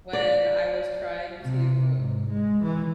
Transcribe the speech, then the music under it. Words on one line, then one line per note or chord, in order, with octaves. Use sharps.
When I was trying to,
D5
C3
G#2
G#3
E3